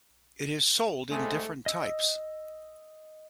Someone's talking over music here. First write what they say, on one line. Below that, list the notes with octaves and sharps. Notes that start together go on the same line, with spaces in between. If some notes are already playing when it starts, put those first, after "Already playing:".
It is sold in different types.
C2 G#2 G#3 A3
D#5 E6